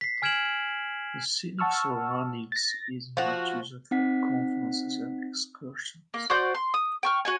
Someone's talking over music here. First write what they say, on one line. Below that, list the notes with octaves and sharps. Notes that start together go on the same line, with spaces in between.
The scenic surroundings is much used for conferences and excursions.
B6 C7
G#5 F6 G#6 D7 E7 F#7
F#5 A5 C#6 E6 F6
A6 A#6
F3 F#4
C4 D#4 F#5 B6
A#3
F#4 C5 D5 G6
C6
D#6
G5 C#6 F6
F#4 C#5 G#5